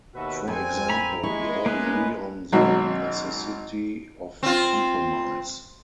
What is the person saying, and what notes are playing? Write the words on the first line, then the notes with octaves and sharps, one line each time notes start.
For example: We all agree on the necessity of compromise.
D#2 B2 F#4 B4 E5
F2 A#2 D3 C4 G#5
A#5 B5
G#3 E4 C#6
A#3 B3 C#4 B4
G#1 B2 F#3
C4 F4